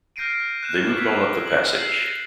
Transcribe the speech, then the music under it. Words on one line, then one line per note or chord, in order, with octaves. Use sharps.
They moved on up the passage.
F6 G6 A#6 C7 D7 D#7
F#6 G6 E7
E6 G#6 B6 E7
F#7
E6 G6 A6 C7 F#7